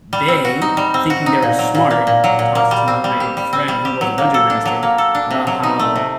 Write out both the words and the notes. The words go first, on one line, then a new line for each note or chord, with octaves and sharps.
they, thinking they were smart, talks to my friend who was a Dungeon Master about how,
G3
C4
F#4
D#4
G3
C4
F#4
D#4
A#2
F#3
A#2
A#3
A#2
F#3
A#2
A#3
G3
C4
G3
G4
G3
C4
G3
G4
F#3
A#3
A4
D4
F#3
A#3
A4
D4
C3
F#3
D#4
A3
C3